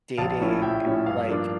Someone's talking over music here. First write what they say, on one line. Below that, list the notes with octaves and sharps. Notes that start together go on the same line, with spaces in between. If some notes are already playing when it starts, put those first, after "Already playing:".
dating, like
A#1 F5 A5
A2 F3 C#4 E4
A#1 E5 G5
A2 F3 C#4 E4
G2 F5
F3 A#3 D4 F4